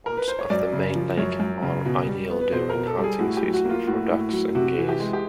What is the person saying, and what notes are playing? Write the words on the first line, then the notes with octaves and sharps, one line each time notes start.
Ponds off the main lake are ideal during hunting season for ducks and geese.
A#4
B4
C5
C#5
F#2 D5
C#3
F3
F#2 C#5
F#2
C#3
B2
G3
B3
B4
B2 C5
A#4
B2
A4
G3
G#4
A2 F#4
G4
F#3
F#4
A#3
F4
A2 F#4
A2
F#3
C3 F#4
E3
G4
G#3
G4